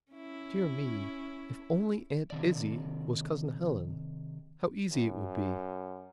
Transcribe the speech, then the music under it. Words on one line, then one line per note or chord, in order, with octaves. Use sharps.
Dear me--if only Aunt Izzie was Cousin Helen, how easy it would be!
C#4 E4
C3 D#3 D5
F#2